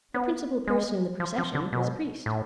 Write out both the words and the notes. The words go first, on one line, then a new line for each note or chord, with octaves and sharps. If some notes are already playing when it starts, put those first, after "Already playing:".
The principal person in the procession was a priest.
B3
G#3
F3
F3
D3
B2
A2